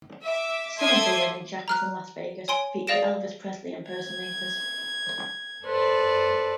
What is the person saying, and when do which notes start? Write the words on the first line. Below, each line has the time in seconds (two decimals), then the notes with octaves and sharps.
Some of the wedding chapels in Las Vegas feature Elvis Presley impersonators.
0.23 E5 D6
0.77 A4 E5 C6 D6 D#6 G#6
1.68 A#5 F6 F#6
2.48 C#5 G#5 C6 D7
2.87 G#4 D5 F5 A#6 D7 E7
3.91 G#6
5.65 A4 B4 C5 D5